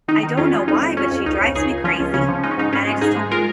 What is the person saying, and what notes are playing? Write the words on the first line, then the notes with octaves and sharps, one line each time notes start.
I don't know why, but she drives me crazy, and I just don't
D#3 D#4
D#3
F2 C#4 F4
G#3
F2 D#4
F2
F2 C#4
F2
C#2 D#4
C#3
C#2 D#4 G#4
C#2
F3 C#4 F4
C#2
C#3 C#4
F3
G#3 D#4
C#4
G#2 D#4
G#2 C#4 F4
G#3
G#2 D#4 G#4
G#3
G#3 F4 A#4